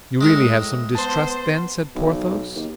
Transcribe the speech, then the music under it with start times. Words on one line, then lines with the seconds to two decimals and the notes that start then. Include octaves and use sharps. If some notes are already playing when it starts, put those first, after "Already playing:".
"You really have some distrust, then?" said Porthos.
0.21 A2 G#3 C4 A#4
0.95 B3 C5 A5 C6
1.95 B1
2.55 D#2